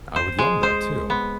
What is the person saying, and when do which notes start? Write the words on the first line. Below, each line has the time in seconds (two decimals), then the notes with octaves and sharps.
I would love that, too.
0.16 C5
0.38 G#3
0.63 C5
1.10 B3